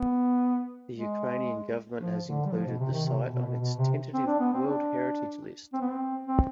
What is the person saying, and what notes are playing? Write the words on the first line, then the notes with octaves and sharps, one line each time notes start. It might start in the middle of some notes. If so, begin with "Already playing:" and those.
The Ukrainian government has included the site on its tentative World Heritage List.
Already playing: B3
G#3
F3
D3
G3
F3
B2
C3
D#3
C3
B2
B2
B2
B2
C3
C4
D4
B3
C4
D4
C4
B3
C4
C4